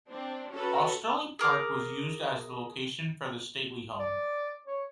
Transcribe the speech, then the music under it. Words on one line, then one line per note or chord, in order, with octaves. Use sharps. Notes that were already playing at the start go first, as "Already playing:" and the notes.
Osterley Park was used as the location for the stately home.
C4 D4
C#4 F#4 A4 B4
G#4 A#4 D6
D5
C#5